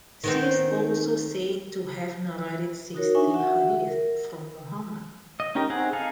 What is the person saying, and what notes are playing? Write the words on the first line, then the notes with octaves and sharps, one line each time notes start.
She is also said to have narrated sixty "hadith" from Muhammad.
D#3 B3 C4
D#4 F#4 A#4 C#5
D4 D#4 E5 G#5 C#6
F#4 E5 F#5
A#4
D#5
C#4 D#4 G4 A#4
C4 D#4 G#4 F#5
D#4 G#4 A4 F5